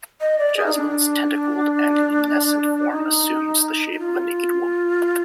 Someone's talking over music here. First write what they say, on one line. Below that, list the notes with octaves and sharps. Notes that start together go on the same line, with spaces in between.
Jasmine's tentacled and luminescent form assumes the shape of a naked woman.
D#5
D5
G#4
D#4
D4
D#4
D#4
F4